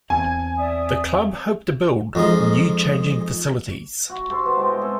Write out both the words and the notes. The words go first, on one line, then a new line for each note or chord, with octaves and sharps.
The club hope to build new changing facilities.
E2 C4 G#5 A5 G#6
D5 E5 D#6
F2 G#3 D#4
F#4
G4 A4 C5 C#5
B2 B3 A5
A2 G#3 D#5 G5
C4 G#4 A4 C#5